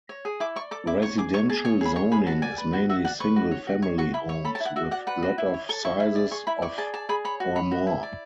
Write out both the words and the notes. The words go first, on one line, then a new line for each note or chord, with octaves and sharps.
Residential zoning is mainly single family homes with lot of sizes of or more.
C#5
G#4
E4 D6
D5 C#6
A4 D6
E4 D6
C#5 C#6
G#4 D6
C#5 C#6
G#4 A5
C#5 G#5
G#4 B5
C#5 C#6
G#4 B5
F#4 A5
D5 G#5
B4
F#4
F#4 E5
D5 F#5
B4 C#6
F#4
C#5
F#4
C#5 C#6
F#4 C#6
E4 B5
C#5 C#6
A4 B5
A5
E4
F#5
F#4 E5
D5 F#5
B4 F#5
F#4
E4
C#5
A4 A5
E4 C#6
E4
D5
G#4 C#6
E4 B5
D5 C#6
G#4 A5
D5 A5
G#4 B5
C#5 B5
F#4
C#5 B5
F#4
E4
D5